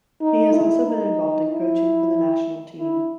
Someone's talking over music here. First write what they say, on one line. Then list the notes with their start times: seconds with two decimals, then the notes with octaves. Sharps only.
He has also been involved in coaching for the national team.
0.21 D#4
0.53 E4
0.86 D#4
1.50 E4
2.80 E4